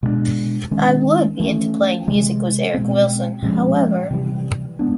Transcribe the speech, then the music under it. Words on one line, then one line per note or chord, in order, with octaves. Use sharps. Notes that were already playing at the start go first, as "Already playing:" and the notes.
I would be into playing music with Eric Wilson, however.
B2 G#3 B3 D4
D#3 G#3 C#4
E3 A3 C#4
C3 E3 G#3
B2 G#3 C4
A#2 F3 G#3 C#4
C3 E3 G3
G#3 B3 D4